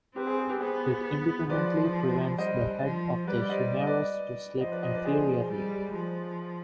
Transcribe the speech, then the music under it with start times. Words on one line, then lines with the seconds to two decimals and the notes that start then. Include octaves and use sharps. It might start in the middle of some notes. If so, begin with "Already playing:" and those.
It independently prevents the head of the humerus to slip inferiorly.
0.16 C4 G4 B4
0.27 G#4 C5
0.38 G#4 C5
0.49 G4 B4
0.60 B3 G#4 C5
1.49 F3 B4 D5
2.38 G3 C5 D#5
2.83 F3
3.27 G3 B4 D5
3.39 D5
3.49 C5 D#5
3.72 D5
3.79 D#5
3.87 B4 D5
4.61 F3 C5 D#5
4.72 B4 D5
4.83 C5 D#5
4.94 B4 D5
5.05 G#4 C5
5.50 G3
5.94 F3